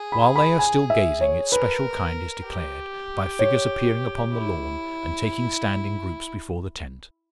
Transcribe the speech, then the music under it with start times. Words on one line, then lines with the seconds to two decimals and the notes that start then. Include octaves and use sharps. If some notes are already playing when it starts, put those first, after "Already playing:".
While they are still gazing its special kind is declared, by figures appearing upon the lawn and taking stand in groups before the tent.
Already playing: G#4
0.12 B5
0.36 B5
0.59 G#5
0.90 E5
1.21 C#5
1.52 A#4 B4
2.45 G4
3.39 C#5
4.33 E4